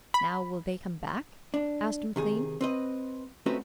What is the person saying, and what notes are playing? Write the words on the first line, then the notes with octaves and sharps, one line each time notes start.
"Now, will they come back?" asked McLean.
B5
D4
C3 D#3 G#4
C4 B4 D#5
A3 C4 C#4 D#4 F#4 B4